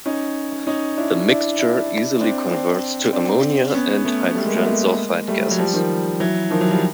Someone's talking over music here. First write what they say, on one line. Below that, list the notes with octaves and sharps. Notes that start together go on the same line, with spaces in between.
The mixture easily converts to ammonia and hydrogen sulfide gases.
C#4 D#4
C#4 D#4
D4 E4
D4 E4
D4 E4
C4 D4
C4 D4
C4 D4
B3 C#4
A3 B3
G3 A3
G#3 A#3
A3 B3
G#3 A#3
G3 A3
F#3
F3 G3
D#3 F3
E3 F#3
D#3 F3
E3 F#3
F3 G3